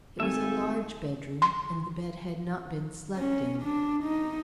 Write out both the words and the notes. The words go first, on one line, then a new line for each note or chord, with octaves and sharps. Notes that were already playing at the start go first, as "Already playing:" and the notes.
It was a large bedroom, and the bed had not been slept in.
G#1 A3 A#3 G4 A4 E5 G#5
C6
C#4
D4
D#4